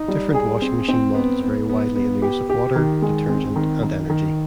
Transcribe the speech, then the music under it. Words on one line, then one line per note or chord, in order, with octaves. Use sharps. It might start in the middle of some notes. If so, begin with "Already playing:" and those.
Different washing machine models vary widely in their use of water, detergent, and energy.
Already playing: D#4
G3
G#4
C4
C4
B3
B3
B3
B3
G4
G4
D#3
G#3
C4
D#3
D#3
D#3